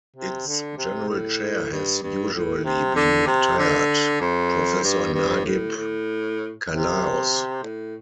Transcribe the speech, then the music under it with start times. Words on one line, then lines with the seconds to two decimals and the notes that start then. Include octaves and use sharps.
Its General Chair has usually been retired Professor Nagib Callaos.
0.16 C3
0.46 D3
0.77 C3
1.09 A2
1.72 G2
2.03 G2
2.34 A2
2.65 C3
2.96 D3
3.27 C3
3.59 D3
4.21 F2
4.83 G2
5.14 G2
5.45 A2
5.76 A2
6.70 C3
7.63 A2